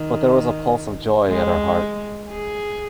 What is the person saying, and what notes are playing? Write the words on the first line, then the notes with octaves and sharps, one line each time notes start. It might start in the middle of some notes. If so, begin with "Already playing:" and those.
But there was a pulse of joy at her heart.
Already playing: D#3
G#3
G#4